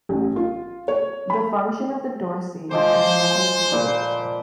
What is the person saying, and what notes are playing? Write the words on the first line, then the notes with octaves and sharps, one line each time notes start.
The function of the Dorsey is a matter of debate.
A1
F4
C#5
B5
F3 G#3 C5 D6
A#2 B4 D5